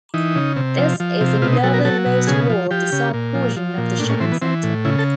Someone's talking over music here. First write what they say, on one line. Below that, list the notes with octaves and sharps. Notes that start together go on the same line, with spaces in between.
This is the northernmost wall of the South portion of the shopping centre.
E3 D#4
C#3
C3
F3
F3
C3
B2 F4
D#4
F#3 A4
A#4
F#3 A4
B2
C#3 G#4
F3
F3 G4
C#3
A#2
F3
F3
A#2
A2 D4
C#4
E3 C4
B3
E3 C4
A2
C#3 E4
A4